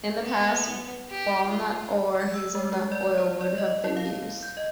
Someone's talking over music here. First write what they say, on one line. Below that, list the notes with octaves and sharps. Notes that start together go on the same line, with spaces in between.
In the past walnut or hazelnut oil would have been used.
B3
G4
F4
G#6
E6
G#3
G#3
D5
C5
D5
D#5
E4
F5
G6
D#5